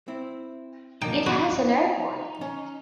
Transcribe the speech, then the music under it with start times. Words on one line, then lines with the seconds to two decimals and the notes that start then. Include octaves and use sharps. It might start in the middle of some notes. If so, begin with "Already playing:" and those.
It has an airport.
0.08 C4 E4
1.02 F#2 D3 A#3 D#4 G5
1.26 F#4 B5
2.41 C#4